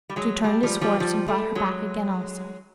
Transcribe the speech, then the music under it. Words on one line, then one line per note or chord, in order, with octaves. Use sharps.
So he turned his horse and brought her back again also.
G3
F#3 G#3
G3 A3
F3 G3
F3 G3
F3 G3
G3 A3
F#3 G#3